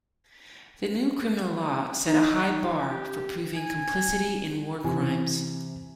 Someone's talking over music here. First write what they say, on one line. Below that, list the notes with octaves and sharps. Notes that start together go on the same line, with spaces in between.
The new criminal law set a high bar for proving complicity in war crimes.
D#4
G4
G#5
C3 E3 G4 G#5